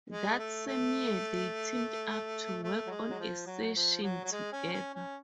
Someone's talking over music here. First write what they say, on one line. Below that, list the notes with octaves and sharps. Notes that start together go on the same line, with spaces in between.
That same year they teamed up to work on a session together.
G#3
A3
A3
A3
F#3
G#3
F#3
F3
F#3
F3
F#3
F#3
G#3
C#4
C#4
C#4